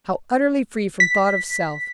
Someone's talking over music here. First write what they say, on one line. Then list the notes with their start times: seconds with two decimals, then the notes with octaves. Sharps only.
How utterly free from thought of self!
1.00 B6